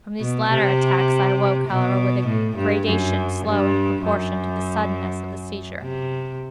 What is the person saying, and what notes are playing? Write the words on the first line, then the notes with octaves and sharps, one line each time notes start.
From these latter attacks I awoke, however, with a gradation slow in proportion to the suddenness of the seizure.
B2
C3
B2
A2
G2
F#2
G2
F#2
C3